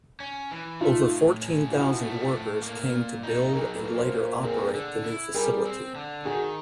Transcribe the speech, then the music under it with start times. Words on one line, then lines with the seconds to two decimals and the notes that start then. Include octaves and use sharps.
Over fourteen thousand workers came to build and later operate the new facility.
0.20 C#4
0.51 E3
0.81 A3 D#4 F4
1.11 A2
1.41 C#4
1.71 F3 E4 F#4
2.01 A3
2.32 A2
2.62 A#3
2.92 A#2
3.23 D#4
3.53 F#3 G#4 A#4
3.75 A4 B4
3.84 A#3
3.99 A#4 C5
4.14 A#2
4.21 A#4 C5
4.43 C4 G#4 A#4
4.75 D3
5.04 E4
5.34 G3 G#4 A#4
5.65 C4
5.95 D3
6.25 D#3 F#4 G#4